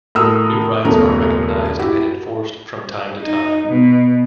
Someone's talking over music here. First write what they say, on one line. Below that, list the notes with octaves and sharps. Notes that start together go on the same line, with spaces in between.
New rights are recognized and enforced from time to time.
A2 F#4 A#4 D#6 E6
D#1 F#2 C#3 A3 B3 A#4
E4 F#4 G4
D#4
B2